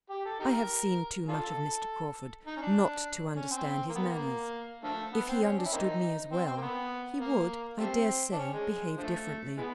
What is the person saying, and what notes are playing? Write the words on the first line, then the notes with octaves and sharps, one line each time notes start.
I have seen too much of Mr. Crawford not to understand his manners; if he understood me as well, he would, I dare say, behave differently.
G4
A4
D#4 G4 A#4
D4 F4 A4
D#4
C#4
D4
C#4
C4
A#3
B3
A#3
D3 F3 A3
B3
C4
C#4
D4
E4
A#3 C4 D#4
C4
C4
A#3
B3
A#3
G3 A3 C4
D4
C#4
G#3
D3 F3 A3
E3 G#3 B3